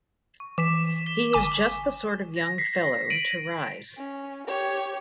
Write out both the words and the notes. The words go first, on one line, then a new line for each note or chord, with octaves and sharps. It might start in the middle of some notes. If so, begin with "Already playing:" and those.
He is just the sort of young fellow to rise.
C#6
E3 D6 B6 E7
B6 G7
G1 G#5 D6
A#6
B6 C7
D7 D#7 F#7
C#4
G4 C#5